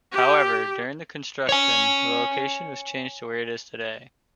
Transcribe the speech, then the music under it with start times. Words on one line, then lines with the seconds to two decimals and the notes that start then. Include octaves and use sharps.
However, during the construction, the location was changed to where it is today.
0.12 G4
1.49 C#5 G#5